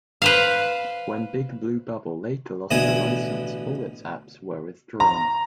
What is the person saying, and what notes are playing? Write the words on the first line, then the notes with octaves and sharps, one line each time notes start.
When Big Blue Bubble later lost the license, all its apps were withdrawn.
B4 C5 F5
A1 B2 D3 E4 G#5 D#6
A#5